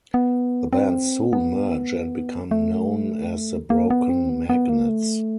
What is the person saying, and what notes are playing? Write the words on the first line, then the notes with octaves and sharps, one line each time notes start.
The bands soon merge and become known as the Broken Magnets.
B3
C4
B3
A3
A#3
B3
C4
B3
B3
A#3
A3